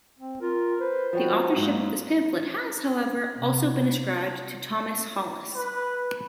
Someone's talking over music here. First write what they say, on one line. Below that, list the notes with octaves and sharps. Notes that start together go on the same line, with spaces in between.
The authorship of this pamphlet has, however, also been ascribed to Thomas Hollis.
C4
F4 A#4
B4 C5
F3 F#4 C#5 G5
G#2 F#3 G#3 A#3
C3
B4